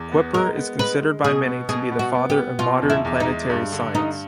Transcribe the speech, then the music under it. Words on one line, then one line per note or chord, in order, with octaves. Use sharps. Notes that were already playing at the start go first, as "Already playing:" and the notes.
Kuiper is considered by many to be the father of modern planetary science.
Already playing: E2
B3
G#3 A#4
B3
G#3 B4
G#3
B2 G#4
B3
B2 G#4
B3
F#4
B3
G4
B3
B2 F4
E2
E4
E2
D#4
G#3
G2
D3
G2 D#4